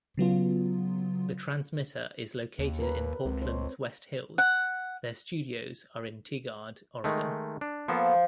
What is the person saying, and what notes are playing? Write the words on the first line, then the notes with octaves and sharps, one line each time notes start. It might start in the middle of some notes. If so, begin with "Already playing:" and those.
The transmitter is located in Portland's west hills; their studios are in Tigard, Oregon.
C#3 F#3 B3 F4
D#2
A#4 B4
C#2 C4
C5 C#5
F#5
D#3 G#3 A3
D4
F3 A#3 B3 A4